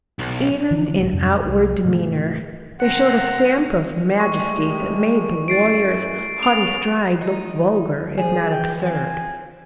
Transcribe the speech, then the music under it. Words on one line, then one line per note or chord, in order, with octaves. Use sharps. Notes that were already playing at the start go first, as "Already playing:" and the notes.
Even in outward demeanour they showed a stamp of majesty that made the warrior's haughty stride look vulgar, if not absurd.
B1
D3 E3 F3
B1 G#2
F2 G#2 C3 G3
C2
G#2 C3 E3 A3
C3 C4 F#5 A#5
A2 G3 G#3 C#6
F#2 E3 A6 C7 D7
C#4 F7
D#4
E4
F3 G#4
E3 G5
F3 C4 G#5